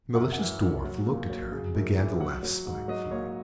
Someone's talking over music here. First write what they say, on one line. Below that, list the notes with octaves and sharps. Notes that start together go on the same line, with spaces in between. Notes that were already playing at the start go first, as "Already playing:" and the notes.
The malicious Dwarf looked at her and began to laugh spitefully.
F#2 F#5
F#5
E3
F#2
F#3
A#2
F#3
C#3
F#2
E3
F#3 F#5
F#3
G#2
F#3 D#5
A#2 C#5